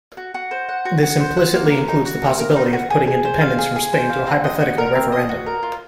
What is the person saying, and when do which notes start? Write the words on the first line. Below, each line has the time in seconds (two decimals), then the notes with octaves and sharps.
This implicitly includes the possibility of putting independence from Spain to a hypothetical referendum.
0.17 F#4
0.34 F#4
0.51 C5
0.69 F#5
0.85 F#4
1.03 F#4
1.20 C5
1.37 F#5
1.54 A#3
1.71 A#4
1.88 D#4
2.05 F#4
2.22 A#3
2.39 A#4
2.56 D#4
2.73 F#4
2.90 G#4
3.07 G#4
3.25 C5
3.41 F5
3.58 G#4
3.76 G#4
3.93 C5
4.10 F5
4.27 C4
4.44 D#5
4.61 F#4
4.78 A#4
4.95 C4
5.12 D#5
5.29 F#4
5.46 A#4
5.63 F4